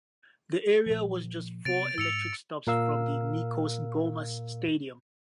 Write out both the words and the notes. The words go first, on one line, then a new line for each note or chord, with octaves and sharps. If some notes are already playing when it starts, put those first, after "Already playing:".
The area was just four electric stops from the Nikos Goumas Stadium.
A#2 F3
C3 B3 A6 D7 F7
G#2 E6 C#7 F7
A#2 A#4 F5 E6